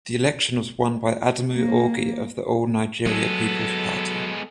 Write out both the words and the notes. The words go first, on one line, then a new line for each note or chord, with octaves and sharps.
The election was won by Adamu Augie of the All Nigeria Peoples Party.
A#3
F#3 G#3 B3 A4